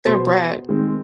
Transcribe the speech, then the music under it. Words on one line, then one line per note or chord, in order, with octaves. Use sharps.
They're a brat.
B2 B3 C5 C6
D#3 G#3 C4